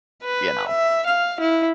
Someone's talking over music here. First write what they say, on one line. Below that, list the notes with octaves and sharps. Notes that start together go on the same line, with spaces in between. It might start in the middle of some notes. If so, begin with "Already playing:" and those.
you know?
B4
E5
F5
E4